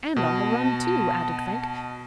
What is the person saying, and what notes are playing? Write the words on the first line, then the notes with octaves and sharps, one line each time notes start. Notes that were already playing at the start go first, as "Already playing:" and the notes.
"And on the run, too!" added Frank.
B2 A5